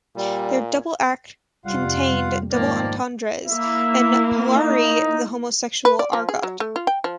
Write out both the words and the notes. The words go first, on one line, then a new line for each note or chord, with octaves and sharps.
Their double act contained double entendres and Polari, the homosexual argot.
A#2 G3
F2 C3 G3 F4 F5 F#5
G#2 D#3 F3 A#3 D5
A#3 E4 E5
D#4
B4
D5
F3
G#4
F#3
A3
F4
G5
F3